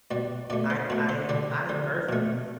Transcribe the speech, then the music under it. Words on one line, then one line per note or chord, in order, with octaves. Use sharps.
I ca I I personally,
B2 G3 D5
B2 A3 D5
C5
B2 A3 B4
C5
D3 G3 D5
D3 G3
B2 A3